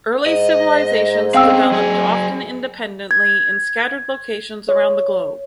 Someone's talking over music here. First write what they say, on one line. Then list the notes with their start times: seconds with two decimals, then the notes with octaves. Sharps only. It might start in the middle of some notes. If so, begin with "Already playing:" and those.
Early civilizations developed, often independently, in scattered locations around the globe.
0.26 G#2 D#5
1.34 C4 C#4 F5 G5 E6
1.72 F#3 G#4
3.11 G#6
4.69 C#5